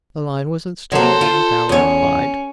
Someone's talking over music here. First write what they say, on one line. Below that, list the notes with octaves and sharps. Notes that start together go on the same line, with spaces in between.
The line was installed and the power applied.
F#3 A#3 A4 C5
F4
E2 C#4 C#5